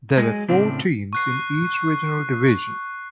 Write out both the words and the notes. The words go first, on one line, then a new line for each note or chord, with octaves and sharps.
There were four teams in each regional division.
F#3 G#3 G#4 D#5
A2 C#3 A#3 C4 D4
C#6 F#6 C7